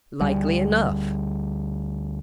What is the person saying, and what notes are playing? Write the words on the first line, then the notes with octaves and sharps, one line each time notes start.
Likely enough.
D2 G3